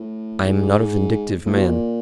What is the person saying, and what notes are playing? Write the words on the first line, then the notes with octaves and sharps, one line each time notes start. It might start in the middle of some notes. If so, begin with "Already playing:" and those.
I am not a vindictive man.
Already playing: A2
G#2
A2
B2
A#2